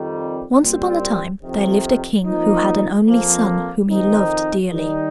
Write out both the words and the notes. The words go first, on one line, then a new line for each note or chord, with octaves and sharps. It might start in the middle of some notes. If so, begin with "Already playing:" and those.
Once upon a time there lived a king who had an only son whom he loved dearly.
Already playing: F2 D#3 G3
A#2 G3 C4
F2 C3 D#3
F2 F3 A#3 D#4
F2 F3 A#3
F2 D#3 C4 D#4
D#3 G3 D#4